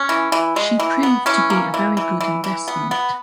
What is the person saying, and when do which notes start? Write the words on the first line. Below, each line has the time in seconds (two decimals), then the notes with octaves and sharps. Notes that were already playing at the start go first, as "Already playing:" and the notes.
She proved to be a very good investment.
Already playing: C#4
0.09 E3
0.32 E3
0.56 G#3
0.80 E3
1.03 B3
1.26 E3 C#4
1.50 A#3
1.74 E3
1.97 E3
2.21 E3
2.44 E3
2.68 B3
2.91 B3